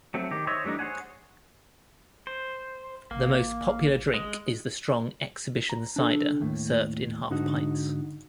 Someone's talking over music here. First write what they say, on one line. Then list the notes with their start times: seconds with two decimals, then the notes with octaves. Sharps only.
The most popular drink is the strong "Exhibition Cider", served in half pints.
0.14 F#3 A3 C4
0.31 D#3 G4
0.47 C5 C#5 D#5 E5
0.64 E3 G3 A3 D4 D#4
0.79 G#4 C5 C#5 F#5 G#5
2.27 C5
3.11 A1 A#3
4.14 G#3
5.70 A#5
5.96 D4 A4
6.40 D#2 A2
7.30 G#2 D3 D#4 F#4